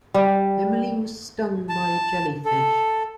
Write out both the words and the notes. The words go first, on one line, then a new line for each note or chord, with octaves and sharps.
Emily was stung by a jellyfish.
G3
A5
A4